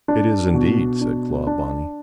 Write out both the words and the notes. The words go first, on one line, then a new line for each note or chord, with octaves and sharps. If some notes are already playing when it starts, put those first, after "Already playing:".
"It is, indeed!" said Clawbonny.
D4
B2
D4
D4